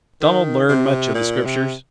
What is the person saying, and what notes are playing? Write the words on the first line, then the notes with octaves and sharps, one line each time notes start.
Donald learned much of the Scriptures.
D#3
C3
A#2
C3